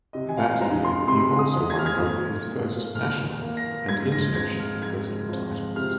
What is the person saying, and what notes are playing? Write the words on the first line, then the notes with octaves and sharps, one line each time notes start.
That year he also won both his first national and international wrestling titles.
C3 D#5
G#5
F5
G#3 C4 A#5
C6
C3 C6
D#6
G#3 C4
G#6
F6
G#6
A#2
A#3
A#2 F6
A#3
A#6
G#2 G#6
A#6
F3 C4 G#6
F6
G#2 G#6
F3 C4
C3 F6